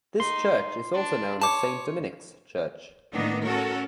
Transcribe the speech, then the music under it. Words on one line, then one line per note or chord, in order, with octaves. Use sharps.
This church is also known as Saint Dominic's Church.
D#4 C6
D4
C#5 A5 D6
A2 D#3 A#3 B3 D4 D#4
C#4 F#4 A4 A#4 C#5